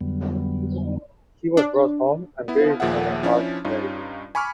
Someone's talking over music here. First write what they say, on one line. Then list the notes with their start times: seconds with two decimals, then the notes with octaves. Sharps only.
He was brought home and buried in an unmarked grave.
0.01 F2 D3 F#3 G3 B3
1.57 D4
2.48 B3 E4
2.80 D#2 A#2 F3 G#4 E5 F#5
3.23 F3 C#4 D4 E4
3.65 G2 C#4 D#4 F4
4.35 G#5 B5 C#6 D6 F6